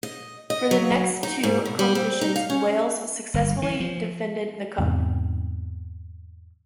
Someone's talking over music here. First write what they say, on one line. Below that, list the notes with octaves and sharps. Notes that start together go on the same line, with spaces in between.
For the next two competitions Wales successfully defended the cup.
D#5
D#5
F#3
D#4
G#2
B2
G3
C4
D#4
F5
C#4
G1
E3
F3
E2 G#2 C3